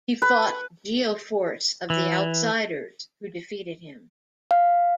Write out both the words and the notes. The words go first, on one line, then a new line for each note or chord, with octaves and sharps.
He fought Geo-Force of The Outsiders who defeated him.
B4
E3
F5